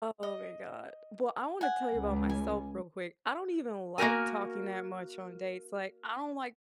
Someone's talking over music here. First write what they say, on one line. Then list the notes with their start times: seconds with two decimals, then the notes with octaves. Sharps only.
Oh my god. Well, I wanna tell you about myself real quick, I don't even like talking that much on dates, like, I don't like
0.23 D#5
1.61 F#5 G#5
1.93 C#2
2.29 G#5
3.98 A#3 F#4 G4 A#4 G#5